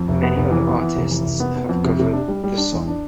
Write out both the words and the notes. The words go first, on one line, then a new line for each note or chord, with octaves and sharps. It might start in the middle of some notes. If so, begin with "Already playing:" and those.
Many other artists have covered the song.
Already playing: F2
F1
B3
F1
E3
B3
E3
F1
E3
F1
B3
B3
F2
C3
C3
D4
G3
G3
D4
E2
D4